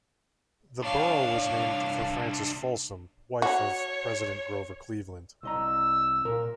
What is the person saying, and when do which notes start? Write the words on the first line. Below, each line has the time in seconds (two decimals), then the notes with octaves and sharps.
The borough was named for Frances Folsom, wife of President Grover Cleveland.
0.82 C2 D4 C#5 F5
3.42 F#4 C#5
5.43 C2 D#5 A#5 E6
6.25 A#2 A#4